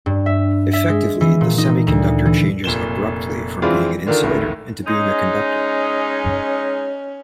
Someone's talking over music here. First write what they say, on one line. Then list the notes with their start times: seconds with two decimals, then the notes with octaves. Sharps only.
Effectively, the semiconductor changes abruptly from being an insulator into being a conductor.
0.06 G2
0.26 E5
0.73 E5
0.89 G#3
1.21 E3
1.41 A#2
1.58 D#4
1.87 D2
2.25 E3
2.64 F1 A#2 E7 G7
3.62 E3 G#3 C4 D4 E4 F4
4.07 D3 D#3 D4 F4 A#4
4.23 G#1 D2 A2 D#3
4.87 G#3 C#4 D#4